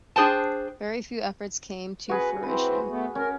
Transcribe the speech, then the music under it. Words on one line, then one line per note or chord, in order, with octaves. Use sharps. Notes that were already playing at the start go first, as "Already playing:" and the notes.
Very few efforts came to fruition.
D4 G#4 C5 G5 A5
F#4 G#4 B4
E3 C4 B4
A3 B3
C#4 A#4